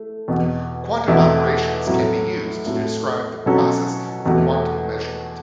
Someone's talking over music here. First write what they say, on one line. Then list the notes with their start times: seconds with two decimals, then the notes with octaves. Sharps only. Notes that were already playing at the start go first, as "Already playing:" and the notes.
Quantum operations can be used to describe the process of quantum measurement.
Already playing: A3 E4
0.28 E2 B2 B3
1.08 E2 B2 A3 E4
1.87 A2 F#3 A3 F#4
2.66 A2 A3 F#4
3.46 B2 F#3 C#4 F#4 A4
4.26 E2 B2 A3 F#4